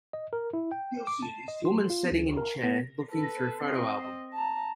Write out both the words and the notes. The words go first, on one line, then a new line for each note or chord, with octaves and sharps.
Woman setting in chair looking threw photo album.
D#5
A#4
E4
G5
D6
A5
D#5
C6
F4
D2
A#4
B3
A4 B4
C4 D#5
A5 A#5